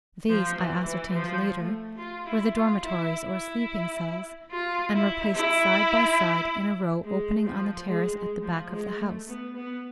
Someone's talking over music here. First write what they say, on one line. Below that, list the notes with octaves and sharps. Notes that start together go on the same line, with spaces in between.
These, I ascertained later, were the dormitories, or sleeping-cells, and were placed side by side in a row opening on the terrace at the back of the house.
F3
E3
E3
F3
A3
F4
E4
F4
E4
E4
F4
E4
E4
G#3
F3
G#3
G#3
F3
G#3
A3
B3
B3